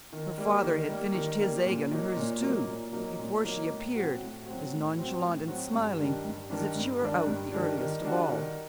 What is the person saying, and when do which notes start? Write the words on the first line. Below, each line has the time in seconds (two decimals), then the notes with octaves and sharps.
Her father had finished his egg and hers too, before she appeared, as nonchalant and smiling as if she were out the earliest of all.
0.13 D#3
0.38 G3 A#3
0.64 D#3
0.89 G3 A#3
1.14 D#3
1.40 G3 A#3
1.65 A#2
1.91 F#3 A#3 D#4
2.17 A#2
2.42 F#3 A#3 D#4
2.67 A#2
2.93 F#3 A#3 D#4
3.19 A#2
3.44 F#3 A#3 D#4
3.70 A2
3.95 F#3 C4 F#4
4.20 A2
4.46 F#3 C4 F#4
4.71 A2
4.97 F#3 C4 F#4
5.22 A2
5.48 F#3 C4 F#4
5.73 G2
5.99 D#3 G3 D4
6.24 G2
6.50 D#3 G3 D4
6.75 G2
7.01 D#3 G3 D4
7.27 G2
7.52 D#3 G3 D4
7.77 D#3
8.03 G3 D4 F#4
8.29 D#3